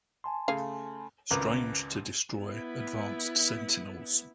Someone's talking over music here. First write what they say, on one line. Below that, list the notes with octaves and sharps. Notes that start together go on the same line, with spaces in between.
Strange to destroy advanced Sentinels.
G#5 A5 C6
C#3 A3 G#4 F5
G#1 C#2 A#4 B4 D6 F#6
B3 E4